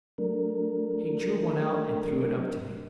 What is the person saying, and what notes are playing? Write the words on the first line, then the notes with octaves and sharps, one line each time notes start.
He drew one out and threw it up to me.
F#3 A3 D4 A#4